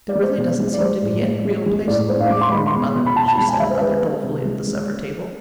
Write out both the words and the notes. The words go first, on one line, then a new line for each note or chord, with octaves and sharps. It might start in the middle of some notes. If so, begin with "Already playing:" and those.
"There really doesn't seem to be any real place in the world for me, Mother," she said rather dolefully at the supper table.
D5
G#3
C5
B2
G#3
D5
G#3 C5
A2
G#3
G#3
G#3
A2 D5
A2 C5
F5
G#3 D6
C6
G#3 B5
C6
B2
B2
B5
B2 A5
A5
G#3 B5
G#5
G#3 E5
C5
G#3 B4
G#3
C3
G#3
G#3